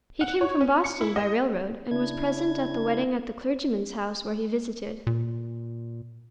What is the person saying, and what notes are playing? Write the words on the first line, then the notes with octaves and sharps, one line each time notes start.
He came from Boston by railroad, and was present at the wedding at the clergyman's house where he visited.
F#5
C#5
C#4
C#7
E4
D#5
C#3 D4 E4 G#6
A#2